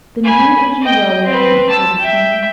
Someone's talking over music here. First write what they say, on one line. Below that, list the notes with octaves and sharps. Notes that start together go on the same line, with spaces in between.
"Then do as you will with me!" cried the king.
G#5 B5
D#5 G5
C4 B4
A5 E6
E5 G5